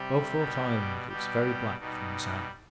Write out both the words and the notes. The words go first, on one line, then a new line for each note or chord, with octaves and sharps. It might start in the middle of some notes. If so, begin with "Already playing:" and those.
Beaufort Island looks very black from the south.
Already playing: C3 G3 G4
B2 G3
B2 G3 G4
B2 G3 D#4